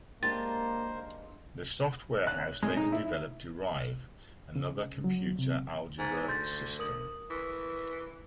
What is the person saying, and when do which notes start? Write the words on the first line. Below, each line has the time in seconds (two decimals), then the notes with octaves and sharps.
The Soft Warehouse later developed Derive, another computer algebra system.
0.23 G#3 A#3 D4 G4 A#4 C5 C6 A6
2.27 F#6
2.63 G#3
2.77 D#4
2.92 E4
4.56 C#3
5.04 F#3
5.39 C3
5.98 G#2
6.28 D2 C6 G6 A6
6.79 A#4 D#6 F#7
7.30 E3